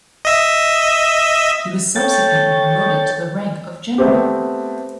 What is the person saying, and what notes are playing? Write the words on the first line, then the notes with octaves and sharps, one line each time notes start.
He was subsequently promoted to the rank of General.
D#5 E5
A4 C#5 G5 A6
A3 B3 C4 G4